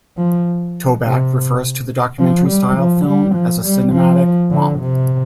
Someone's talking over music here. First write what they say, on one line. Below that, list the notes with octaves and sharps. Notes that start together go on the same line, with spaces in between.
Toback refers to the documentary style film as a cinematic romp.
F3
C3
F3
G3
F3
G3
F3
G3
F3
D3
C3